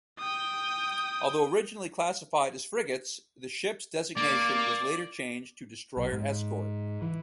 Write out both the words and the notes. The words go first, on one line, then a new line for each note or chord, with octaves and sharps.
Although originally classified as frigates, the ships' designation was later changed to destroyer escort.
G5 D#6
A#3 D5
B1
G#2
E3